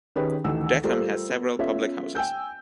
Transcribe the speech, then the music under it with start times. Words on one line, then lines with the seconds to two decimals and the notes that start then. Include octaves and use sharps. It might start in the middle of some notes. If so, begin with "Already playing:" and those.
Deckham has several public houses.
0.16 D#3 C#4 G4 G#4 B4
0.44 A1 D2 D#3 E3 E6
0.84 G3 A3 F4 A4 A#4 C5
1.30 B3
1.59 B3 C#4 F4 A4 E5
2.15 G5 G#5 E6 G6